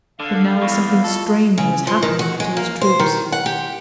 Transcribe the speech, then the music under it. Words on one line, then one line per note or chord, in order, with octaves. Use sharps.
But now something strange was happening to his troops.
D3 F5
A4
E2 B5 C#6
F4 A4 D#5
C#3
F3
D#3
F#4
G#3
A#3
C5
D#3
F#5
G4